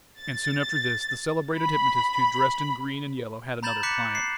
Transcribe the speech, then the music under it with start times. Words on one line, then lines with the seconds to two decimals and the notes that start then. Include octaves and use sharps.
And soon after this the celebrated hypnotist who dressed in green and yellow had another client.
0.20 A6
1.56 B5
3.63 A#5 B5 G6 A6 E7 F#7
3.83 D6 F#6 G6 B6 C#7
4.15 C7